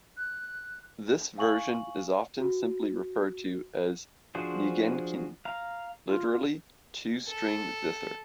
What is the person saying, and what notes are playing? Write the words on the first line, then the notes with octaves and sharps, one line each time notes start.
This version is often simply referred to as "nigenkin", literally "two-string zither".
F#6
F5 G#5 C#6 F#7
F#4
F3 D4 F#4 G#4 C5
F5 A#5
F4
A4